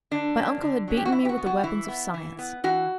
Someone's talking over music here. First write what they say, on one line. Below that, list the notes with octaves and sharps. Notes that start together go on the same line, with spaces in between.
My uncle had beaten me with the weapons of science.
D3 D4
F#3 A#3 C#4
D3
F#3 A#3 C#4
G4
F#4
E3 E4
G4
F#4
B3
F#4
E3 E4
B3
E3
B3
E3 F#4